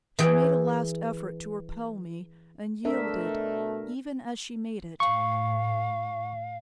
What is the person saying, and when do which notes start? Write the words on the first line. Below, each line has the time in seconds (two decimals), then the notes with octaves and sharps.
She made a last effort to repel me, and yielded even as she made it.
0.19 E3 G#4 G5
2.85 B2 A3 D4 A#4 E5
5.00 A2 F5 C#6